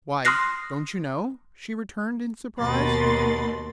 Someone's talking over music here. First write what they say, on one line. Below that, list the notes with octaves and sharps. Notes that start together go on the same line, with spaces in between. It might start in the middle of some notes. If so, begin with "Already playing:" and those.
"Why, don't you know?" she returned, in surprise.
C6 D#6 F6 F#6 A#6 C7
D#2 B2 A#4 B5 C6 A6